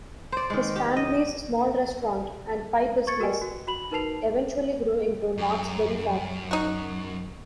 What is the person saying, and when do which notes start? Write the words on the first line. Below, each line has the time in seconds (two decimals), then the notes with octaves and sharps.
His family's small restaurant and pie business eventually grew into Knott's Berry Farm.
0.32 C5 D5
0.50 D#3 G#3
0.76 G4
0.97 D#5
3.07 C#6 G#6 A6 C#7
3.20 F#4 A#4 B4 D#5 G5 G#5
3.42 F#4
3.67 F#4 B5 F#7
3.91 D#4 A#4 B4 A5 C7 F7
5.38 F#2
6.51 D#4 F#4